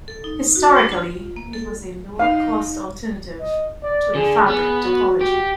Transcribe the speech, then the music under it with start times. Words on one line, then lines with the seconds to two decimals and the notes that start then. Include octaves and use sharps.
Historically it was a lower-cost alternative to a fabric topology.
0.08 A4
0.24 D#4
0.56 F#4
0.76 D4
0.92 F4
1.36 A#3
1.53 A4
2.19 D#4 F5
3.41 D#5
3.83 D5
4.15 D3 G#4
4.48 B3 G#4
4.84 F#4
5.21 G4